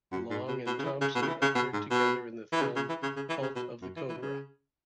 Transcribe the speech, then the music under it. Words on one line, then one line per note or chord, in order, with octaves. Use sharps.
Long and Thompson appeared together in the film "Cult of the Cobra".
F#2
G#2
B2
B2
C#3
E3
C#3
B2
C#3
E3
C#3
B2
G#2
B2
E3
C#3
C#3
E3
C#3
C#3
E3
C#3
B2
F#2
E3
E3
B2
C#3